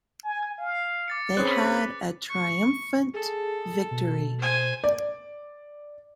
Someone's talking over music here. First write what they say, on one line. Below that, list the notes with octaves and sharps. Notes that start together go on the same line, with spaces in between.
They had a triumphant victory.
G#5
F5
D6 A6 C#7
C4 C#4 G#4 B4 F#6
C#6
G#4 A4
B2
C5 G#5
D5